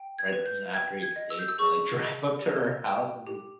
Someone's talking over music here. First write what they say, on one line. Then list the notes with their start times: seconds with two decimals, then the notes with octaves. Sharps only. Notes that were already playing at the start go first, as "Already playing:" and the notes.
right, you know, after he escapes, they, like, drive up to her house and just
Already playing: G5
0.18 G#6
0.33 B4
0.46 G6
0.74 G5 G#6
1.02 G#6
1.16 D#5
1.30 E6
1.39 G6
1.48 E6
1.58 G#4 C#6
2.00 D#5
2.42 G4
2.85 G5
3.27 G4